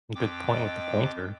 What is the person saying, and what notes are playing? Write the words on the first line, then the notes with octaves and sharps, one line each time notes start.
Good point with the pointer.
F2 G5 D6
D#5